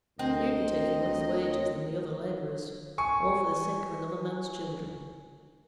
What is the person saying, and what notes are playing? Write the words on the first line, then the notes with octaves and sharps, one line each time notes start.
You'd be taking less wages than the other labourers--all for the sake of another man's children.
D2 C4 A#4 D#5
G#5 C#6